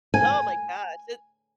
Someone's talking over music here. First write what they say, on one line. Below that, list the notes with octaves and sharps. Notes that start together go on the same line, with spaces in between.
Oh my gosh, and
G#5